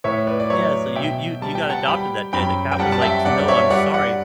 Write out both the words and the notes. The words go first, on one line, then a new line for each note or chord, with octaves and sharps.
Yeah, so you you you got adopted that day, the cat was like, "No, I'm sorry,
A2 C#5 E5
B4 D5
D5
F#3 C#5 E5
B2 E5 G5
G3 A5
G5
F#5 A5
G3 G5 B5
F#2 G5 B5
G5
G3 F#5 A5
A5
E5 G5
G2 D5 F#5
D5
C#5 E5
G3 D5 F#5
D5 F#5